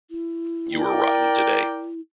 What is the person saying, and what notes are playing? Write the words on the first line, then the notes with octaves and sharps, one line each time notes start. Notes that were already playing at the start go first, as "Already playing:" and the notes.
You were rotten today.
E4
A#4 D5 G5